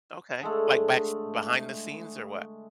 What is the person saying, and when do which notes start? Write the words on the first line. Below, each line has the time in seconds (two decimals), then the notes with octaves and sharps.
Okay, like, backs behind the scenes or what?
0.41 D3 G#3 A3